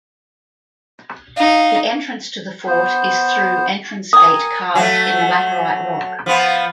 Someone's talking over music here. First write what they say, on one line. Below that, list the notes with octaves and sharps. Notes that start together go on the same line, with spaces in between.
The entrance to the fort is through entrance gate carved in the laterite rock.
D#4 F5
B3 C5
A#4 G5 G#5 D#6
F#3 A3
F3 B3